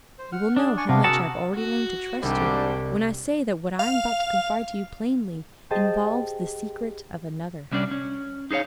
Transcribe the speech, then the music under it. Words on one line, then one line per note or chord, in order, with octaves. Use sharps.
"You will know how much I have already learned to trust you when I say that what I am about to confide to you plainly involves the secret of another."
C5
F#5 F6
D4 G#4 A5
D5 G#5 C#6
C3 B3 D4 F5
F#4 G#4 A#4 F#5 A5 E6
F#4
C2 G#2 G3 C4 D4 G4
F5
G4 G#4 C5 D#5 G5 A5
C2 G3 C#4 D4 D5
C#4
D#4 G#4 A4 C#5 F5